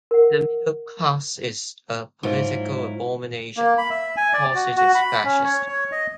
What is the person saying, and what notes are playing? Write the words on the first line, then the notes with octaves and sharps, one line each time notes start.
The middle class is a political abomination, because it is fascist.
A#4 F#5
G#2 F#3 E4 F4
A#3
B5
E5
G#5
D5
F#4
F#4
B5
C#4
C#5
C#5
D#5